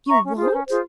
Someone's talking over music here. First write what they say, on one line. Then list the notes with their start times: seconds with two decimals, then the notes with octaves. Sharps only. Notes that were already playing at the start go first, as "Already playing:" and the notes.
"You won't!"
0.08 E5 A#5 C#6
0.23 C#4
0.38 F4 G#4 C5
0.52 C#4
0.68 F4 G#4 C5